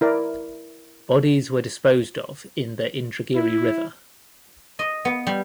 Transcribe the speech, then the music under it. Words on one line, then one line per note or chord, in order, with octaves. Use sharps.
Bodies were disposed of in the Indragiri River.
E4 A#4 D5
E4
D#5
B3
G3